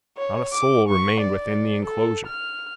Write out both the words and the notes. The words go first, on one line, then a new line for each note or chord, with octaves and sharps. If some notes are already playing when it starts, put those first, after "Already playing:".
Not a soul remained within the enclosure.
C#5
D6
C#6
D5
A4
F6